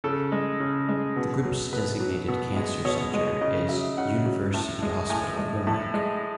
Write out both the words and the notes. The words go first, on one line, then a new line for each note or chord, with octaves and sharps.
The Group’s designated cancer centre is University Hospital Limerick.
C#3 A4
G#3
C#3
G#3
B2
F#3
B2 B4
F#3
B2
G#3
B2 C#5
G#3 D#5
C#3 D#5
F#3 E5
C#3 F#5
F#3
A2
G#3
A2 G#5
G#3
A2
G#3